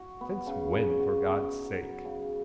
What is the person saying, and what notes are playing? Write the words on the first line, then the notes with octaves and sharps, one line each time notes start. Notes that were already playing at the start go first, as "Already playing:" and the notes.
Since when, for God' sake?
Already playing: F#4
B3
C#3
C#3
F#4
B3
D#4
F#3
C#3